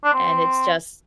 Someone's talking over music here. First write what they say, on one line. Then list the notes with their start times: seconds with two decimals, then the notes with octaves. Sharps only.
and it's just,
0.04 D4
0.13 C4